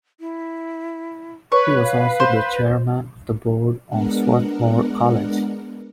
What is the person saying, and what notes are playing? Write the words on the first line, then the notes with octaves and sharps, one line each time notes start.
He was also the chairman of the board at Swarthmore College.
E4
B4 C#5 C#6
F5
C5
G#3 B3 D4 A#4 F#5